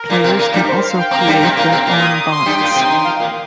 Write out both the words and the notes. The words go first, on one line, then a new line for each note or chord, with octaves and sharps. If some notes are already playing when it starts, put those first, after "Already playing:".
Players can also create their own bots.
Already playing: A#4
A#2 A#3
C3 C4
A#2 A#3
G2 G3
C5
F5
G5
C4 A#5
A#3
G2 G3
C3 C4
A#2 A#3
C3 C4
A#2 A#3 C6
D#6
C6
G2 G3 G5
A#2 A#3
C3 C4
D#3
F3 F5
A#2 A#3